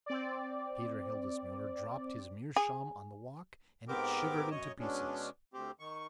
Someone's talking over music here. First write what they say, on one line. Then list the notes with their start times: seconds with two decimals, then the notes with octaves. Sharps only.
Peter Hildesmuller dropped his meerschaum on the walk and it shivered into pieces.
0.06 C4 D5
2.56 G#4
3.88 G#2 B3 C4 G4 A#4 D6
4.51 F#2 C#5 D#5
4.79 B2 G#3 C#4 D4
5.54 D2 C4 G4
5.79 D#3 C#6